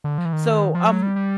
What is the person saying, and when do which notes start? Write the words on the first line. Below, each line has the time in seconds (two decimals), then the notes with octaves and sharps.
so, um,
0.04 D3
0.18 F3
0.25 E3
0.33 D#3
0.75 F3
0.88 F#3
1.02 G3
1.16 G3